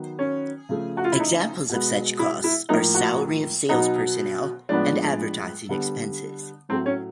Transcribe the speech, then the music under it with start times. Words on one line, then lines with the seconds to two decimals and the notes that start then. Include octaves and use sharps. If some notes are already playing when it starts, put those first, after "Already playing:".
Examples of such costs are salary of sales personnel and advertising expenses.
Already playing: D#3 F#3 B3
0.19 C#4
0.69 C#3 F3 A3
0.97 F#4
1.04 F4
1.12 E4
1.20 D#4
1.69 B2 G#3 B3
2.19 E4
2.44 E4
2.69 A2 F3 A#3 D#4
2.94 F#4
3.69 B2 F#3 B3 D#4
4.69 A2 F3 G#3 B3 D4
5.69 D3 G3 B3
6.69 A2 F#3 A3 C4
6.86 C#4